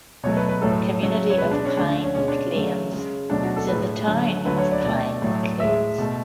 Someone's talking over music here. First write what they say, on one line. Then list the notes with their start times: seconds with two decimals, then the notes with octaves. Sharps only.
The community of Pine Plains is in the town of Pine Plains.
0.23 B2 F#3 A3 C#5
0.37 B4
0.49 B4
0.61 A2 F#3 A3 A4
1.00 C#3 F#3 A3
1.30 C#5
1.38 B2 G#3 B4
1.51 D4
1.65 C#4
1.77 D3 A3 D4
1.89 D4
2.03 C#4
2.15 B2 G#3 C#4
2.28 D4
2.53 C#3 F#3 A3
2.91 C#3 G#3
3.30 B2 F#3 A3 D4
3.43 F#4
3.56 A4
3.68 A2 G#3 B4
4.07 D3 F#3 A3
4.45 D3 F#3 A3 B4
4.58 C#5
4.71 D5
4.84 B2 A3 D5
5.22 A2 F#3 A3
5.60 A2 G#3 E5
5.98 B2 A3